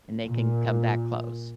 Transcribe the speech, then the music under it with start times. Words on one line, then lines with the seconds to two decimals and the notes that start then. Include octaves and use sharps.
and they can come that close.
0.24 A#2